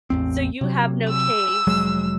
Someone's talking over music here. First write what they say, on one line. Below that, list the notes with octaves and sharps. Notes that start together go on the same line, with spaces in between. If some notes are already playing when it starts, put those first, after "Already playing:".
So you have no case."
A1 E2 C4
C3 F#3
E6
F1 F#3 G#3